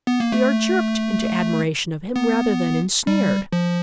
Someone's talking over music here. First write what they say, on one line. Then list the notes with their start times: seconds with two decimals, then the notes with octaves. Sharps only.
We are jerked into admiration of him, rather than ensnared.
0.07 B3
0.20 A#3
0.32 A3
2.16 B3
3.07 G3
3.53 F3